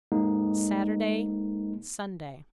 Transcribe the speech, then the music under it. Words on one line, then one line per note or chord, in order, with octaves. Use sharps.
Saturday, Sunday.
G#3 A#3 D#4